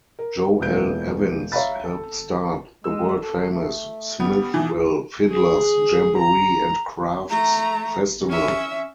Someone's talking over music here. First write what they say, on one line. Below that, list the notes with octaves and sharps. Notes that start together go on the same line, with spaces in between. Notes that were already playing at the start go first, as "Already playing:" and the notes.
Joe L. Evins helped start the world famous Smithville Fiddler's Jamboree and Crafts Festival.
A#4
E1 A#2 B3 E4 G6 D7
C#5 E5 F5 A#5 B5 A6
A4
G#3 E6
A4
A3
G3 B3
B2 E3
G#4
A#5
A3 A#5
C#4 E5